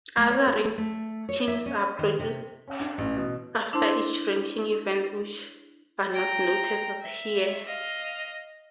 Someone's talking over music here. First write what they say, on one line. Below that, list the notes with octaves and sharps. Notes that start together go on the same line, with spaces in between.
Other rankings are produced after each ranking event which are not noted here.
A3
C#5
A4
A3
C#5
E5
C#4
D#3
C3
C#4
D4
A1
B2
D4 E4 C5 A5 C6
G5 A#5
E5
D#5 F5